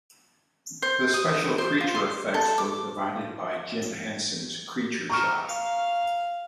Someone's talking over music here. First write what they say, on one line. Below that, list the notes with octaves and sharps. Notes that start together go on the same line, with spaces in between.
The special creature effects were provided by Jim Henson's Creature Shop.
C5
D#6
C5
F4
C6
A4
D6
A#5 C#6 F6
F5